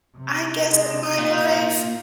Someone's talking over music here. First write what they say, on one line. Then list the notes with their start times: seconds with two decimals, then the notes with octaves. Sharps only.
I guess, in my life,
0.16 C3
0.71 G#3
1.19 A#2 F4